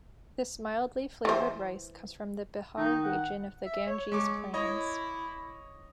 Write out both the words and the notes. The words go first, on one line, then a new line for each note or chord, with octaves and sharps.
This mildly flavoured rice comes from the Bihar region of the Ganges plains.
E3 C5
D#3 D#4
F#5
E5
C#5
G#3 C#6 D6
E4 C#5 D#5 C#6